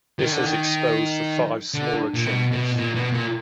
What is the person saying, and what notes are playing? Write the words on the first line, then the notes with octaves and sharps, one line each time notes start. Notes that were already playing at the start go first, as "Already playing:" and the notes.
This has exposed the five smaller chambers.
D#3
D3
D#3
D3
A#2
B2
B2
A#2
B2
A#2